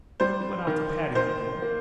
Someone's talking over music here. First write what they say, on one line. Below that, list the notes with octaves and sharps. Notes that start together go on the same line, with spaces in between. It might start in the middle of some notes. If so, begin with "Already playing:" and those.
He went out the patio door.
G3 C5
D#3
D#3 C5
A#3